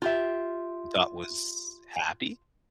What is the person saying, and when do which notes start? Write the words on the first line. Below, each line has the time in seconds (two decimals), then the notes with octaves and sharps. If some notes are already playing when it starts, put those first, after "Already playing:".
you thought was happy?
0.02 F4 G4 E5